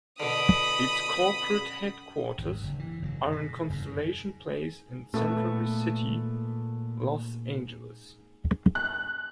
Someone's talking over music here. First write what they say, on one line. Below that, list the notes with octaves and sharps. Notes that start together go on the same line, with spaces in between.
Its corporate headquarters are in Constellation Place in Century City, Los Angeles.
B2 D3 B5 D#6
G#1 D#2
F#1
E3
F#1 C3 F#3
B2
F#1 E2 G2
A#2 A3 B3
F#6